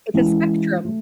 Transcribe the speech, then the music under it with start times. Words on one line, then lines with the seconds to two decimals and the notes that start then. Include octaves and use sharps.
It's a spectrum.
0.14 E3 G#3 C#4 E4
0.85 A3